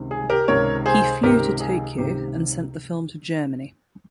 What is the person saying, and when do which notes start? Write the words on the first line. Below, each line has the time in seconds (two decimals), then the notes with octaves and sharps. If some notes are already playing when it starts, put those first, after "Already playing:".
He flew to Tokyo and sent the film to Germany.
Already playing: C#2 C3 D#3
0.11 G#4
0.30 G4 A#4
0.48 C#2 C3 D#3 A#4 C#5
0.86 G#4 C5
1.23 C#2 C3 D#3 G4 A#4
1.60 G#4
1.98 C#2 C3 D#3 G4